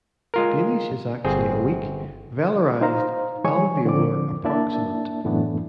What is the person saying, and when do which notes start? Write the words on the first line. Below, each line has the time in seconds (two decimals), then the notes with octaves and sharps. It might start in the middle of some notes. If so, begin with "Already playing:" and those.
Danish is actually a weak, velarized alveolar approximant.
0.34 G#3 F4 A#4
1.25 G1 C4 G#4
2.81 D#4 C5 F5 A#5
3.44 E3 G#3 C#5 G#5 C#6
3.85 D3 F3 C4 D5 D6
4.45 A#3 D4 E4 D5 E5 A5
5.25 F#2 A2 E3 A3 B3 D4